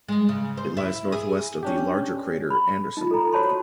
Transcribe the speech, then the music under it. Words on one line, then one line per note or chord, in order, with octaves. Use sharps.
It lies to the northwest of the larger crater Anderson.
G#3
C#3
C5
E4
G#4
C#4 D4 G4
B5
D#4 F4
A4 A#5
F#4 C5 C#5 A5 B5 C6